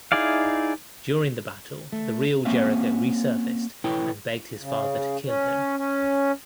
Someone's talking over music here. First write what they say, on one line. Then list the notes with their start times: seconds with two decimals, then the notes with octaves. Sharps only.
During the battle, the real Jericho resurfaced and begged his father to kill him.
0.12 D#4 E4 G#4 D5 F5
1.93 A3
2.45 A#3 C4 C#4 F#4 E5 F5
3.84 E4 A4 B4 C#5 G5
4.59 C#3
5.25 C#4
5.77 C#4